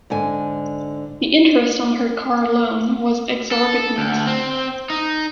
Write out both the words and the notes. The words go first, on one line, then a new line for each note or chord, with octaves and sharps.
The interest on her car loan was exorbitant.
G#2 D3 G#5
A4
D2
C4
D#4